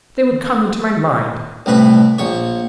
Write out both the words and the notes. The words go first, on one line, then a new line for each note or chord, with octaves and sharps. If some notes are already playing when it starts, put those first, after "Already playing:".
They would come into my mind.
C2 A2 B4
A#1 C#5